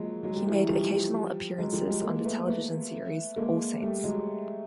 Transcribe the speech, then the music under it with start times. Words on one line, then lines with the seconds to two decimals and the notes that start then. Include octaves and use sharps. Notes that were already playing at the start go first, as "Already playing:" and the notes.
He made occasional appearances on the television series "All Saints".
Already playing: F3 F#3 G#3 A#3
0.23 F#3 G#3
0.36 G3
0.47 E3 F#3
0.68 F3 G3
1.58 F#3 G#3
1.73 F3 G3
1.88 F#3 G#3
2.03 G#3 A#3
2.24 A3 B3
2.47 A3 B3
3.36 G#3 A#3
3.82 G3 A3
4.04 F#3 G#3